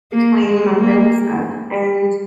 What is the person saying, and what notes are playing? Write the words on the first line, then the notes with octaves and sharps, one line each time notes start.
between my mental stuff and
A#3
G#3
A#3